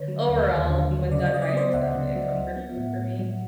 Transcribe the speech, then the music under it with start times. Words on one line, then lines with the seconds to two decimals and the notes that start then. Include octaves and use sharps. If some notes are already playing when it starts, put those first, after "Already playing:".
overall, when done right, it's definitely a comfort food for me.
Already playing: D3 B4 C#5
0.08 F#3
0.29 D#2
0.50 D#2
0.70 D3
0.91 F#3
1.12 C#3 D5
1.19 D#5
1.26 D5
1.32 F#3 D#5
1.42 D5
1.49 D#5
1.53 B3 C5 D5
1.74 C#2 E5 F#5
1.95 C#3
2.16 F#3
2.36 F#3
2.56 B3
2.77 A2
2.98 A2
3.19 F#3